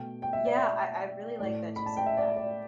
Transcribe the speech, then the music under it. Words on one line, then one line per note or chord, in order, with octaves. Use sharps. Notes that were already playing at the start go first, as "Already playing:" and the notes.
yeah, I I really like that you said that,
Already playing: B2 A3 G5
G5
E5
D5
E5
A2 A3 D5
B5
A5
G5
E5
D5
D5